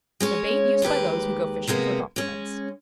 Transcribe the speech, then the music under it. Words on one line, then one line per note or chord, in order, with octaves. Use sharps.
The bait used by those who go fishing for compliments.
G#3 C#4 C#5
D#2 G#3 G4 B4
C3 G#3 A#3 B3
G#3 C#4